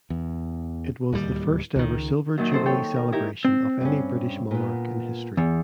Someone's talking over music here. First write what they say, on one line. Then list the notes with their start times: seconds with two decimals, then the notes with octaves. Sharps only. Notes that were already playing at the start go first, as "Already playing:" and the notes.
It was the first ever Silver Jubilee celebration of any British monarch in history.
0.10 E2
1.13 D1 D#2 G3
1.76 C#2 D#3
2.37 F#2 A#2 D#3
2.51 C4 A4 C5
2.66 A4 C#5 G5
2.96 A#4
3.12 D#4 E4 G4 A#4
3.45 C4
3.81 G2 C#4
4.51 A#2 B3
5.37 E2